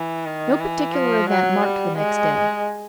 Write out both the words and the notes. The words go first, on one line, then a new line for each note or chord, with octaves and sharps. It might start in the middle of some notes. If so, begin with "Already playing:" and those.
No particular event marked the next day.
Already playing: E3
D#3
E3
F3
F#3
G3
G#3